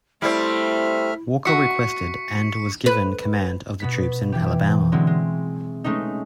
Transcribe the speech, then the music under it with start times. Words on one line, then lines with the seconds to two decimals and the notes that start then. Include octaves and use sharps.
Walker requested, and was given, command of the troops in Alabama.
0.22 G3 A3 C4 E4 E5 F6
1.46 F#4 E5 C#6 B6 C#7
2.86 B4
3.80 B2 B3 B6
4.32 E3 G4
4.92 D3 F#3 G#3 C4 E4
5.07 G#3
5.84 G#3 A3 C#4 D#4